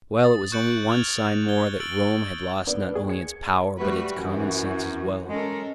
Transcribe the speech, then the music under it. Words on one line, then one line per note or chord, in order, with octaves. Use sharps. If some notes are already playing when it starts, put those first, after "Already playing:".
Well, it was only one sign more that Rome had lost not only its power, but its common sense as well.
D#6 A6
C#6 F#6 G6 C#7 D7 F#7
F6 G#6 F7
G#6 G7
E6 A6 D7 F#7
A#3 B3 D4
D#2 G#4
G#6 C#7
G3 A3 F#4 B4
F#2 E3 F#4
G#3 C#4 A4 A#4